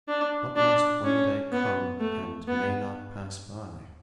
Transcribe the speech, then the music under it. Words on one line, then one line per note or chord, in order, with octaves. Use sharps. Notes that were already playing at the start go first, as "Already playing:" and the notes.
What must one day come and may not pass by?
D4
D4
C#4
B3
A3
B3